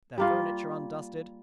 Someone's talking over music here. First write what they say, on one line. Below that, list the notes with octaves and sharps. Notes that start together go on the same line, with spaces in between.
Their furniture undusted.
G3 A#3 F4